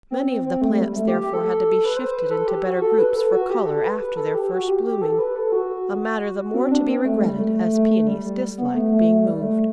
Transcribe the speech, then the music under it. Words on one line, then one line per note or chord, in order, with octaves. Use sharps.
Many of the plants therefore had to be shifted into better groups for colour after their first blooming, a matter the more to be regretted as Paeonies dislike being moved.
C4
C4
C4
A3
G3
A3
G4
G4
A4
B4
C5
B4
A4
G4
F#4
A4
B4
A4
F#4
G4
A4
B4
B4
A4
G4
F#4
G4
G4
A4
B4
A4
F#4
C4
D4
C4
A3
G3
A3
A3
A3
A3
G3
G3
B3
A3
A3
A3
G3
A3